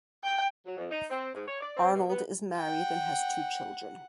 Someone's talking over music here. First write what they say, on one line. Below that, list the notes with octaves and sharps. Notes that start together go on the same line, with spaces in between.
Arnold is married and has two children.
G5
F#3
F2
D#4
C4
G#2
C#5
D5
C4
B2
B3
F#5 G5